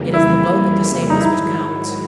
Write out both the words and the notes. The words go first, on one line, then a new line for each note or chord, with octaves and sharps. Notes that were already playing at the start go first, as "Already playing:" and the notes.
It is the blow that disables which counts.
Already playing: F2 C#3 E3 G3 A#3
E4
D#4
G#2 D#3 F#3 E4